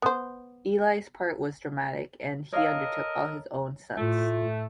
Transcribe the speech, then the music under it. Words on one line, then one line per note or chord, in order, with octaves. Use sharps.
Ellis' part was dramatic and he undertook all his own stunts.
B3 C5
A4 A#4 C#5 D#5 F5
A2 A3 F4